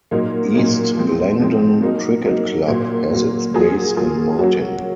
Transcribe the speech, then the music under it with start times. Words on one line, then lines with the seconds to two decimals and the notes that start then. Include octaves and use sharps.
East Langdon Cricket Club has its base in Martin.
0.11 A#2 F#3 A#3 D#4 A#4
0.53 A#2 F#3 A#3 D#4 A#4
0.96 F3 G#3 C4
1.40 F3 G#3 C4
1.82 F#3 A#3 D#4
2.26 F#3 A#3 D#4
2.67 A#2 F#3 A#3
3.11 A#2 F#3 A#3
3.54 F#3 A#3 F4 G#4
3.96 F#3 A#3 F4 G#4
4.39 F#3 A#3 C#4 F#4